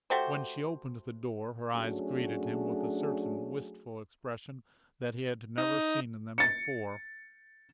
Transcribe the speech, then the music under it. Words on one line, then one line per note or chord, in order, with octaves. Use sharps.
When she opened the door her eyes greeted him with a certain wistful expression that he had never seen in them before.
A3 F#4 G4 C5
F#3 A3 C#4 D4 F#4 G#4
D#4
A6 C#7